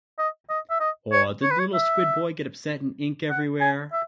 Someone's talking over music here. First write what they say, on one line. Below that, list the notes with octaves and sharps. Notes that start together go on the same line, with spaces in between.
Aw, did little squid boy get upset and ink everywhere?
D#5
D#5
E5
D#5
C#5
C#5
B4
C#5
E5
F#5
G#5
E5